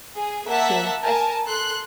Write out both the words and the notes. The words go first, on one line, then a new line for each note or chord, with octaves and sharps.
soon, I s
G#4
A#3 E5 F#5 A5
A#4 G#5 A5
A4 C6 F#6